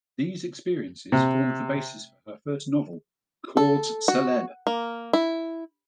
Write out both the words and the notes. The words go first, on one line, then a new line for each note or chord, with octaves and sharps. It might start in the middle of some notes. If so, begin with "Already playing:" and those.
These experiences formed the basis for her first novel, "Cause Celeb".
C3
A4
F#4
A#3
E4